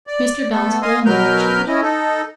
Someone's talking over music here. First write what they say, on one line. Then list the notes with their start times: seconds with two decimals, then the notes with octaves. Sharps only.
Mr. Bell's whole manner changed.
0.07 D5
0.51 A3 B3 A4
0.82 D#5 F5 G#5 C6 D#6
1.06 B2 F#3 A#4 B4 F6 G6
1.68 C#4 E4 D#5
1.82 D#4 A4